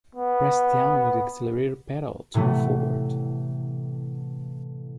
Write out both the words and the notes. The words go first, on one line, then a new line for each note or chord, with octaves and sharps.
Press down on the accelerator pedal to move forward.
B3
A2 C3 E3 A3 B3